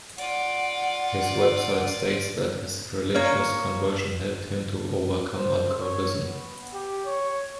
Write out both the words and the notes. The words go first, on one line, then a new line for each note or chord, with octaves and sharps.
His website states that his religious conversion helped him to overcome alcoholism.
F4 D5 F#5
A#3 C#5
C5
C#5
B3
G4
C#5